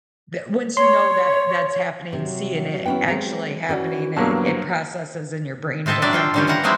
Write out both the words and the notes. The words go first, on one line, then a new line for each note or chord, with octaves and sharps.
the once you know that that's happening, seeing it actually happening, it it processes in your brain differently.
C#5 C6
C3 F#3
B3 C#4 E4 F#4 G5
G#3 C4 F#4 G4 A#5
E3 C#4 F#4 A4 D5 F#5
G2 F#3 A#3 B3 G#4 A5
C5
A2 C4 A4 D#5 E5
F#3 G3 D4 D5 E5
F4 A4 G5
D3 D#3 G3 A#3 C#4 G4
E3 G3 C5 F#5 A#5
F3 F#3 G#3 C4 D#4 E4